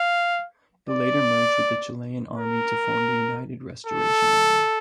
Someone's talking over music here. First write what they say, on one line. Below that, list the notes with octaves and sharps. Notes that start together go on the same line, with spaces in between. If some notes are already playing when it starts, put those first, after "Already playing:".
It later merged with the Chilean Army to form the United Restoration Army.
Already playing: F5
D5
A#4
A4